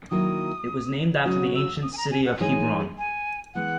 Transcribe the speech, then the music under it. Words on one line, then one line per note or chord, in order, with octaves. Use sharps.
It was named after the ancient city of Hebron.
D#3 F#3 A#3 E4 A#4 D#6
C#3 F#3 C#4 F#4 C#5 D#6
E6
D#6
G#5
A#5
G#5
F#5
E3 G#3 D#4 G#4 C#5 G#5
G#5
E3 G#3 B3 F#5